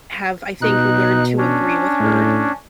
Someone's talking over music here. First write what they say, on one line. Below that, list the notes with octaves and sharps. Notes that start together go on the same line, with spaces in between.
have, I think, learned to agree with her,
B2 D#4 F#6
C#4 D4
A2